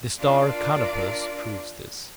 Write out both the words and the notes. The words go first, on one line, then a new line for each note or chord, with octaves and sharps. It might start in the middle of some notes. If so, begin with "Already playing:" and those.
The star Canopus proves this.
D4 F4 A#4 D5